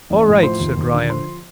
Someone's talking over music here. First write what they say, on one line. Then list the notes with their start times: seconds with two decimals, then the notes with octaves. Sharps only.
"All right," said Ryan.
0.10 A1
0.28 A2
0.43 F3 C5 C6
0.60 D#2
0.77 D#2
0.93 D3
1.09 F3 C5 C6